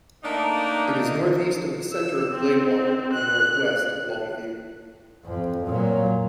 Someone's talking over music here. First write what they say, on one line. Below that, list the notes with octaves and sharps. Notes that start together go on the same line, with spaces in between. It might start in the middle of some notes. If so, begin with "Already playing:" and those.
It is northeast of the center of Gladewater and northwest of Longview.
A3 A#3 D4 D#4
E6
C4
F#6
F2
A#2 F#3